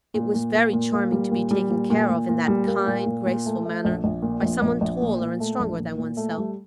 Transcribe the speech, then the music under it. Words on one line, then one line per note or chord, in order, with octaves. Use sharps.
It was very charming to be taken care of in that kind, graceful manner by some one taller and stronger than one's self.
A#2
A#2
A#3
A#2
A#3
G3
A#2
G3
A#2
A#2
A#2
A#2
G3
A#3
A#2
A#2
A#2
A3
A3
A#1
A#1
A#2
A#1
A#1
A#1
A#2
A#2
A3
A#1
A#2
A#2
A3
G3